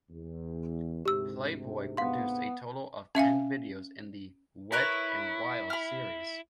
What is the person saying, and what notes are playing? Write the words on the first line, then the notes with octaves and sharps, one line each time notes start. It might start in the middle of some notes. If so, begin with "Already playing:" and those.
"Playboy" produced a total of ten videos in the "Wet and Wild" series.
E2
D2 G#2 C3 G4 E6
B3 F5 C6
C#4 E5 F5 G#5
E4 A#4 B4 C#5
B5 F6